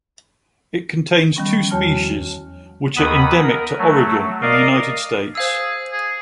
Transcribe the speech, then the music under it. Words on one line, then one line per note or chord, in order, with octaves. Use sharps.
It contains two species, which are endemic to Oregon in the United States.
D#3 F3 G3 B3 C#4
E2 F#4 C#5 A5 F6
D#2 B3 B5 D#6
A#4
F#3 A3
A#4 D5 D#5 F5
G#4 C5 F5 E6
G#4